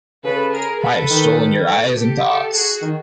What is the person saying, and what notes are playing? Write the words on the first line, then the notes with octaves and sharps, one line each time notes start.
I have stolen your eyes and thoughts’’!
C#3 A4 B4
G#4 A#4
A4 B4
D#3
G4 A4
G4 A4
F#4 G#4
D#3